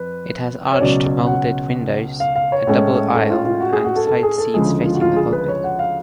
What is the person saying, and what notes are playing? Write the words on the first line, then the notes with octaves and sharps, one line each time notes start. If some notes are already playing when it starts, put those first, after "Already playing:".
It has arched moulded windows, a double aisle and side seats facing the pulpit.
Already playing: F2 B4
C#5
C#2 B2 F#3 C#4 D5
F#5
F5
F5
C#5
A2 G#3 C#4 A4
A4
F4
F4
F#4
G#4
F#4
A4
A4
G#4
A4
D2 C#3 F3 G#3 G#4
F4
F#4
F4
G#4
B4
C#5
F#5
F5